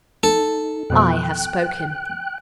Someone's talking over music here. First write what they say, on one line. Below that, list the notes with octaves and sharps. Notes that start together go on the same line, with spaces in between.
I have spoken.'
D#4 A4
F2 B2 F3 G5 F#6